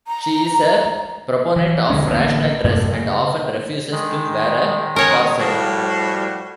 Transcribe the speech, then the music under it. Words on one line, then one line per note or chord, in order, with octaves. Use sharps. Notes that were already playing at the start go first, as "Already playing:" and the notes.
She is a proponent of rational dress, and often refuses to wear a corset.
A#5
E3
D#2 D3 G#3 C#4
A1 D3 A#3 B3
F#2 A2 C3
C#3
D#3 G#3
C#4 A#4 C#5 F#5
A2 F3 G3 F#4